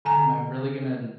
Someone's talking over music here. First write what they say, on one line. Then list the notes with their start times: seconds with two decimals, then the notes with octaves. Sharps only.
am I really gonna
0.05 D3 G#5 A#5